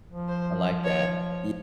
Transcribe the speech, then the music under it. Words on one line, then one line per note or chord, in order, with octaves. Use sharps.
I like that, yeah.
F3
C5
C#5